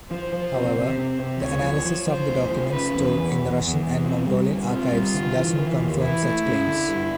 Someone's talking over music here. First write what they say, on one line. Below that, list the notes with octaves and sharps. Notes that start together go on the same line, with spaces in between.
However, the analysis of the documents stored in the Russian and Mongolian archives doesn’t confirm such claims.
F3 C5
F3
C3
C3
C3
C3
D2 C#5
F3
F3
F3 C5
D2
F3
C#3 B4
E2
E2
E2
E2
E2
C4
G3
D3
C4 F4
G3
D3
E3
E3
D#2
E3 E4
A3
C#3
D3
G2